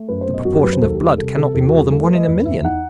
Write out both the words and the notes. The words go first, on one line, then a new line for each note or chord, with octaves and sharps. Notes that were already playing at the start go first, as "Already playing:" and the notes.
The proportion of blood cannot be more than one in a million.
Already playing: A3
F#2 B4
C5
B3
D#5
F#2 F#4
G4
F#3 B4
C5
D#2 A4
G4
G3
C3 A4
C3 A4
E2 A4
F#4
G3
A4
A3 A4
B4
A3 D#5
E2 B4
E2 E5
D#4 F#5